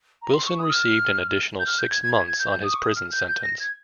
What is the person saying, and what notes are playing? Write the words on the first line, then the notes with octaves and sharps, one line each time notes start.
Wilson received an additional six months on his prison sentence.
A#5
C6
C#6
D#6
F6
G6
F6
G6
G#6
G#6
G#6
G#6
G6
G6
D#6
C#6
D#6
F6
G6
G6
A#6
G#6